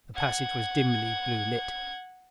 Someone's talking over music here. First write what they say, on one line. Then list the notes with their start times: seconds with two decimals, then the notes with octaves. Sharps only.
The passage was dimly blue lit.
0.15 F#5 G#6